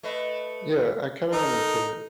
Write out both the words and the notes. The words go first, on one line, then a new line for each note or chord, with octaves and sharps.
Yeah, I kinda wanted to
A3 B4 D#5
D#4 A4 A#4